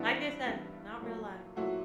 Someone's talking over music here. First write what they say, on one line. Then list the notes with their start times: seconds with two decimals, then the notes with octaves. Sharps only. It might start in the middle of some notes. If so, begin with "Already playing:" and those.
Like I said, not real life.
Already playing: G2 E3 G3 B3 D4 E4
0.46 G2 E3 G3 B3
1.01 A#2 F#3 A3
1.56 A#2 F#3 A3 E4 F#4